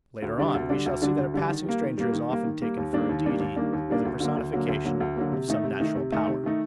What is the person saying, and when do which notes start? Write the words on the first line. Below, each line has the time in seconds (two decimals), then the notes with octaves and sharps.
Later on we shall see that a passing stranger is often taken for a deity or the personification of some natural power.
0.22 D2
0.38 D3 G3 D4
0.54 D2
0.70 D3 G3 D4
0.86 D2
1.02 D3 G3 D4
1.18 D2
1.34 D3 G3 D4
1.49 D#3
1.65 G3 A#3
1.82 D#3
1.98 G3 A#3
2.13 D#3
2.29 G3 A#3
2.45 D#3
2.61 G3 A#3
2.77 D#2
2.93 D#3 G3 A#3 D4
3.09 D#2
3.25 D#3 G3 A#3 D4
3.40 D#2
3.56 D#3 G3 A#3 D4
3.73 D#2
3.88 D#3 G3 A#3 D4
4.05 D2
4.20 D3 F#3 A#3
4.37 D2
4.53 D3 F#3 A#3
4.68 D2
4.85 D3 F#3 A#3
5.00 D2
5.16 D3 F#3 A#3
5.32 C3
5.48 D#3 A3 D#4
5.64 C3
5.80 D#3 A3 D#4
5.96 C3
6.12 D#3 A3 D#4
6.27 C3
6.43 D#3 A3 D#4